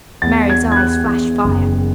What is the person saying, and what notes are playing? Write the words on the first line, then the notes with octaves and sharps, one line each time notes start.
Mary's eyes flashed fire.
E2 A6
G#6
E2
G#6
F#6
E2
F#1